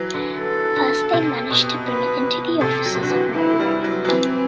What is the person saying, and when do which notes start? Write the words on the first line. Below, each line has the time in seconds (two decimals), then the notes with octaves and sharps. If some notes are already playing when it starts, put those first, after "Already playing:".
First, they managed to bring it into the offices of Miri Regev.
Already playing: E3 F#3
0.14 D3
0.39 A4
0.76 D3
1.13 C3
1.50 B2
1.87 B4
2.61 C3 A4
2.86 F#3
2.95 C3
2.98 D3 F#4
3.10 E3
3.35 E3 E4
3.60 G3
3.84 F#3
4.05 F#3
4.08 E3 C4